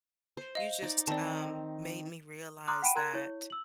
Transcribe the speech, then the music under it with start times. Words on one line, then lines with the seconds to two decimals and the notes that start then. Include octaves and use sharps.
you just, um, made me realize that,
0.37 C5
0.55 D#5 F5
0.82 D#4 D5
1.07 D#3 C4 D5 A5
2.67 A#5 C6 D6 D#6 F6 F#6
2.82 F#5 G5 B5 D7 D#7
2.95 A#4 A#5 C6 F#6 G#6
3.13 E4 C#5
3.50 E6 F#7